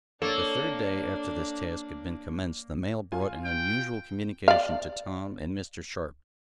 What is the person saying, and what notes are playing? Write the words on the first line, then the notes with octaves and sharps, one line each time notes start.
The third day after this task had been commenced the mail brought an unusual communication to Tom and Mr. Sharp.
A#3 D4 A4 C#5
F4 G#5
G5
D5 F5